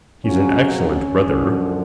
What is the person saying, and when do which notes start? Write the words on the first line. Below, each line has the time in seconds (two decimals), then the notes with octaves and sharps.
He's an excellent brother.
0.23 F2 C#3 F#3 C#4
0.74 C#4
1.24 F#2 D3 F3